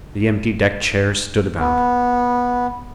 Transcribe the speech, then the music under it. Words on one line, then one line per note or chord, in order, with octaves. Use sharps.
The empty deck chairs stood about.
B3